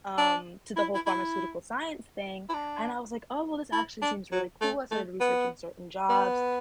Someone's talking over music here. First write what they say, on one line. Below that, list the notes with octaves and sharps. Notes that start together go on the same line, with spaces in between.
um, to the whole pharmaceutical science thing, and I was like, "Oh, well, this actually seems really cool," I started researching certain jobs,
D4
E4
E4
E4
E4
D4
E4
D4
F#3
A3
A3
B3
B3